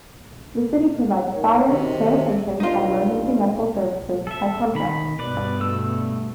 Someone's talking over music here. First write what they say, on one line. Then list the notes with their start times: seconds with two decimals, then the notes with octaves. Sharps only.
The city provides fire, sanitation, and emergency medical services by contract.
1.33 D#4 A#4 C#5
1.68 F#2 C3 D#3
2.60 G2 D#4 F4
4.27 A4 E5
4.75 D#3 B5
5.19 G2 B2 B4 D5
5.60 A3 E6